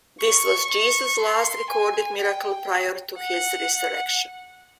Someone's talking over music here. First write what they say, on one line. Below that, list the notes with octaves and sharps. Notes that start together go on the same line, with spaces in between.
This was Jesus' last recorded miracle prior to His resurrection.
C#6
C#6
C6
G#5
G5
F#5